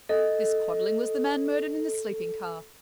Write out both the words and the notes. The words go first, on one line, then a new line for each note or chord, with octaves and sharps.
This Quadling was the man murdered in the sleeping-car.
A4 D#5